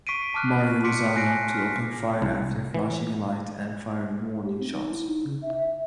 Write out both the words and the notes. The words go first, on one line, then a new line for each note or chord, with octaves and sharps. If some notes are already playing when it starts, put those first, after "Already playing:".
Mario Lozano, to open fire after flashing a light and firing warning shots.
C#6 B6 C7 D7 D#7
A5 D6 F6 F#6
C6 D6 B6 C#7 D7
G#5 F#6 A#6 C7 D7
F6 B6
C2
E3
G4
C4
D#4
E4
D#4
C#3
E5
E5